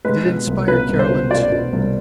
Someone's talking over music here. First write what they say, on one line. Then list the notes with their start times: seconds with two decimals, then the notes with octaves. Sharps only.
And it inspired Carolyn too.
0.05 G#3 B4
0.25 B2
0.47 C2
0.67 B2 B4
0.88 C2
0.99 C5
1.10 B2
1.31 B2 D5
1.52 B2
1.73 C2